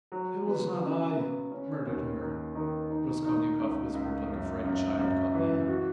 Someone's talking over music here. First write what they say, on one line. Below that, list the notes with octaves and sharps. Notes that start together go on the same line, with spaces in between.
"It was not I murdered her," Raskolnikov whispered like a frightened child caught in the act.
F#3
B3
C#3
B3
C#4
D#2
D#3
D#3
D#4
D#4
C#2
C#2
F#2
F#2
F#2
E3
F#4